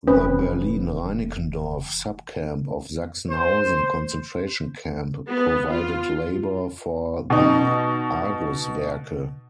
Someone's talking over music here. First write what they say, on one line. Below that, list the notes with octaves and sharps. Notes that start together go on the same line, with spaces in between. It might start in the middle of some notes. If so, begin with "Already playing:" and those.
The Berlin-Reinickendorf subcamp of Sachsenhausen concentration camp provided labor for the Argus-Werke.
F1 E3 C4 C#4 B4
C5
B3
F4
B2 D#4